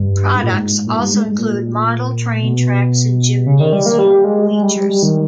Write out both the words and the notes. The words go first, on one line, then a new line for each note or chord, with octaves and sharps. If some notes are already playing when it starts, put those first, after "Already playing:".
Products also include model train tracks and gymnasium bleachers.
Already playing: G2
G#2
A#2
G#2
A#2
G2
G#2
G#2
A#2
B2
C#3
D#3
G3
A#3
G3
G#3
G#3
G3
G3
G3
D#3